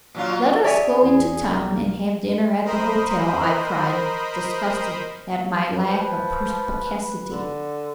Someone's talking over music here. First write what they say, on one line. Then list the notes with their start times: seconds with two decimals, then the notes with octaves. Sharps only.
"Let us go into town and have dinner at the hotel," I cried, disgusted at my lack of perspicacity.
0.15 A#2 F#3 F4
0.64 G#4 C#5 D5 E5 G#5
1.02 E2
1.50 B1 A#4
2.65 A#4 C5 D#5 B5
5.77 F3 B4
7.30 D3